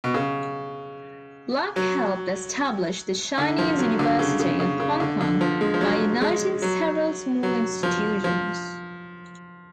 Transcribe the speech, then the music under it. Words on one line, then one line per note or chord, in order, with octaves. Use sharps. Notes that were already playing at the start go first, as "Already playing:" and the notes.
Black helped establish the Chinese University of Hong Kong by uniting several smaller institutions.
B2
C#3
F#3
D3
F3
F#3
D3
C#3
C#3
C#3
C#3
D3
D3
F3
G#3
F3
F#3
G#3
F#3
F#3
F3
F3